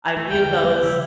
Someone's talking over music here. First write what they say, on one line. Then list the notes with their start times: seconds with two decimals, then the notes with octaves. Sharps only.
I view those,
0.17 E3 A3
0.31 E2 G2 D3 G5
0.63 F3 G3 B3
0.83 C#3 E3 F3 E4